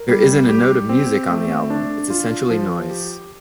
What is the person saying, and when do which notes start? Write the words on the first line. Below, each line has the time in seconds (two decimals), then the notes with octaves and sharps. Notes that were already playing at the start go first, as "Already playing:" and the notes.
There isn't a note of music on the album; it's essentially noise.
Already playing: A#4
0.09 G3
0.49 G4
0.89 C4
1.30 A3
1.70 D4
2.10 F4
2.50 F3
2.91 G4